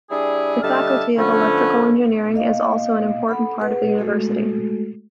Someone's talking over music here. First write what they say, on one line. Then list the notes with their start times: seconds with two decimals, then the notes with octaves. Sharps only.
The Faculty of Electrical Engineering is also an important part of the University.
0.10 G3 D4 E4 G#4
0.62 D3 G3 D#5 E5 A5 F6
1.17 D3 F3 A3 B3 C#4
2.34 A#3 D#5 F5
3.29 A4 F#5 B5
3.59 G#4 B4 F#5
3.99 G#3 A3 F#4 A4